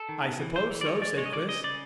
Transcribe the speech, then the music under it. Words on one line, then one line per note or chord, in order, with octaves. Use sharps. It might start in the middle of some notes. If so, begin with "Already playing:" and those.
"I suppose so," said Chris.
Already playing: A4
D#3
B3
E3
E3 C5
E3
D5
G#3 C#5
G#3 D5
G#3 C#5
D#5
G#3 D5
C#3 D#5
C#3 D5